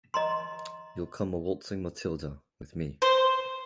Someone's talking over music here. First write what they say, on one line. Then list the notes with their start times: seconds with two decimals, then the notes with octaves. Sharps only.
You'll come a-waltzing Matilda, with me.
0.14 D#5 A#5 C6
3.02 C5